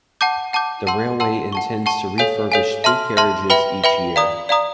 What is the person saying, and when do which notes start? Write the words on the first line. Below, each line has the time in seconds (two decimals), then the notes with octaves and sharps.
The railway intends to refurbish three carriages each year.
0.21 F#5 A5 D6 G6
0.53 F#5 A5 D6 G6
0.87 F#5 A5 C6 E6
1.20 F#5 A5 C6 E6
1.52 F#5 A5 C#6
1.86 F#5 A5 C#6
2.18 A4 C#5 F5 G#5
2.52 A4 C#5 F5 G#5
2.84 E5 A5 C6 F6
3.17 E5 A5 C6 F6
3.50 B4 E5 G5 B5
3.84 B4 E5 G5 B5
4.16 D5 F5 A#5 D#6
4.49 D5 F5 A#5 D#6